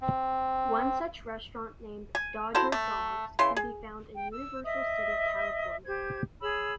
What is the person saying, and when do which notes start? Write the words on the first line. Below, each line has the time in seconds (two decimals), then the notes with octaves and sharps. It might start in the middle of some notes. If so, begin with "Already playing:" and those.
One such restaurant named Dodger Dogs can be found in Universal City, California.
0.01 C4
2.15 G#5
2.55 E4 F#4 A4 C5
2.72 A3
3.39 C#3 E3 C6
3.57 G#4
4.15 G5
4.31 E6
4.64 D#5 E5 D#6
5.85 G4 C5 G#6
6.40 G#4 C#5 B5 E6